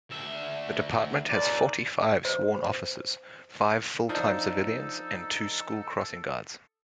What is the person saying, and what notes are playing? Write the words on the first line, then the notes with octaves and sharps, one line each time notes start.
The Department has forty-five sworn officers, five full-time civilians and two school crossing guards.
D2 E5
D#2 D5
C5
F3 D4 D#4 A4